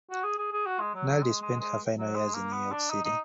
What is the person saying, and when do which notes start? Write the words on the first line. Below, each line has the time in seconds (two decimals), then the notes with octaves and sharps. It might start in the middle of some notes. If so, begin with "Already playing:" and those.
Naldi spent her final years in New York City.
0.10 F#4
0.24 G#4
0.38 G#4
0.52 G#4
0.66 F#4
0.80 G#3
0.95 F#3
1.08 F#3
1.22 G#3
1.41 G#3
1.59 G#3
1.97 F#3
2.15 G#3
2.34 A#3
2.52 B3
2.71 D4
2.90 D#4
3.04 D#4